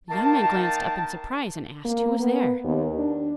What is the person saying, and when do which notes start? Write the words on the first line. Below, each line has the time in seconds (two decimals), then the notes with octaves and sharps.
The young man glanced up in surprise, and asked who was there.
0.10 D#3 A#3 A5
1.85 A#3
2.20 B3
2.64 D#2
2.97 D4